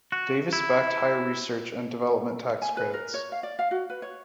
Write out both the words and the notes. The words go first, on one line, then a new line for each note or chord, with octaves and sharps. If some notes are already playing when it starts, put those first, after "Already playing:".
Davis backed higher research and development tax credits.
F#4
E4
G#5
B4
A#4
C#5
F5
D5
F5
F#4
B4
C#5